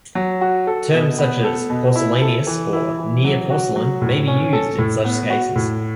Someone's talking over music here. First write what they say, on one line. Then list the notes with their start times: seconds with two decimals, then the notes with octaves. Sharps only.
Terms such as "porcellaneous" or "near-porcelain" may be used in such cases.
0.15 F#3
0.41 F#4
0.67 A4
0.93 B2
1.19 B3
1.44 A4
1.70 B2
1.96 E4
2.21 A4
2.47 E3
2.73 E4
2.98 E3
3.25 F#3
3.50 F#4
3.76 F#3
4.01 A2
4.28 C#4
4.53 A4
4.79 A2
5.05 B3
5.30 F#4
5.56 A2